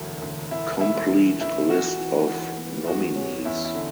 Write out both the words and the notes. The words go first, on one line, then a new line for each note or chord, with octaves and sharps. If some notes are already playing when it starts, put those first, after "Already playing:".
Complete list of nominees.
Already playing: E1 D2 F#3
D2
E1 E4
E2 E4
E3
E3 E4
E3 F#4
E3
E3
B3
E2 F#4
C#4
E2 E4
E4
D3